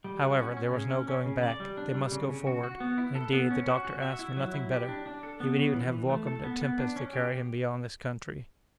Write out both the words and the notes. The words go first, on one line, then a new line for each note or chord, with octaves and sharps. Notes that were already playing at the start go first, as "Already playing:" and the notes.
However, there was no going back; they must go forward; and, indeed, the doctor asked for nothing better; he would even have welcomed a tempest to carry him beyond this country.
G3
F#4
C#4
C#4
C#3
C#4
C#4
C#3
D5
G3
D4
G3
C#3
C#3
F#4
F#4
B3
E4
A4
B3
C#4
F#4
F#4
E5
E4
F#3
E4
G4
D4
D4
A4
B3
C#3
E3
E3
A3
A4
B3
B3
D4
C#4
G4